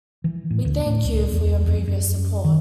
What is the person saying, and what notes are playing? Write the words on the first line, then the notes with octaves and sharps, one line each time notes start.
We thank you for your previous support.
E3
A2
D2
A2
C#2
E2
F2
F#2
D#3